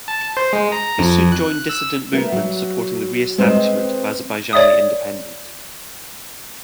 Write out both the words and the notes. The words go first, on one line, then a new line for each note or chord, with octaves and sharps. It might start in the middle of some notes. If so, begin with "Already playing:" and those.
He soon joined dissident movement, supporting the re-establishment of Azebaijani independence.
A5
C5
G#3
A#5
F2
F#6
E6
A3 B3 A#4
F#3
G#3 C4 B4 C5 D#5 G5
C#5 D5 E5 D#6